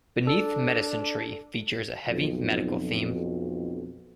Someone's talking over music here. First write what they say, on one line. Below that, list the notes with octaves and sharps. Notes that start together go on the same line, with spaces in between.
"Beneath Medicine Tree" features a heavy medical theme.
D4 A4
B1 F2